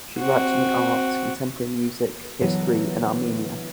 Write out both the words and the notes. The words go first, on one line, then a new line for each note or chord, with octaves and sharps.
She writes on the arts, contemporary music, history and Armenia.
C4 F#4
D3 E3 F#3 B3 E4